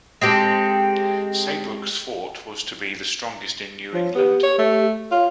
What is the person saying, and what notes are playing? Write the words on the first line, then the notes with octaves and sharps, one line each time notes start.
Saybrook's fort was to be the strongest in New England.
G#3 C4 G4 A4
F3 C#5
B3 G4
C#5
A3
F4 C#5